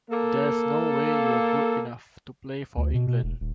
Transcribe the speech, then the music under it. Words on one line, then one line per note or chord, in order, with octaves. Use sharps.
There's no way you're good enough to play for England.
A#3 A4
D2
B2
B2
E1
D#1